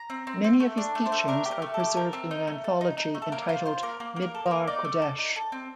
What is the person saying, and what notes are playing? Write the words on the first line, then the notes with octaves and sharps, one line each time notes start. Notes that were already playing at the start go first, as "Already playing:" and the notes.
Many of his teachings are preserved in an anthology entitled "Midbar Kodesh".
Already playing: A#5
C4
C4
C4
A3
D4
A3
C5
A3
D4 A#4
G4
A#4
A3
A4
G4
A4 A#4
C4
D#4
A3
A4
D#4
D#4
A3
A4
A#3 A#4
F4 C5
F4 C5
A#3 A#4
A#3
A#3
A#4
A4
A#4
A#3
D#4 D5
A3
A4
D#4
A4
C4